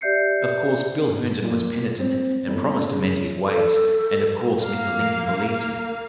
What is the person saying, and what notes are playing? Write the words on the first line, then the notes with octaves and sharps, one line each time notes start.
Of course, Bill Herndon was penitent and promised to mend his ways, and, of course, Mr. Lincoln believed him.
G4 D5 E5 G6 C7 C#7
A#2
C4
G1
C#3
A4
A#3 F5